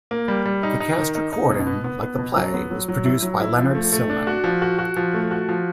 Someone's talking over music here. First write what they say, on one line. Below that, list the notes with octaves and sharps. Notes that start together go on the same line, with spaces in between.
The cast recording, like the play, was produced by Leonard Sillman.
A#3
G3
G3
D#4
D#4
D#3
D#4
D#4
B2
B3
B3
B3
B2
F#3
B3
F#3
F#3
E4
F#3
E4
F3
A3
A3
D4
F#4
F3
F#4
F#4
F3
A3
F#4
F3